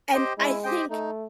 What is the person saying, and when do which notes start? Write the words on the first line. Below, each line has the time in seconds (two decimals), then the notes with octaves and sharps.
and I think
0.13 G4 C5 D#5 G5
0.38 G#3 E4
0.64 G4 C5 D#5 G5
0.90 A3 D#4